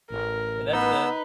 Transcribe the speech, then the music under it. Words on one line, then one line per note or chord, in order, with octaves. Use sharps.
and that's the
A1 A#4
B3 D#4 B4 E6